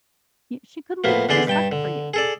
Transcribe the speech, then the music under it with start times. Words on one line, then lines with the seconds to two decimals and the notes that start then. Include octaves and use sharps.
she could lose respect for you.
1.04 A2 F3 A#3 B3
1.29 E2 D3 D4 G#4 D5 C6
1.47 G2 G5 A5
1.72 D3
2.14 G#4 A4 D5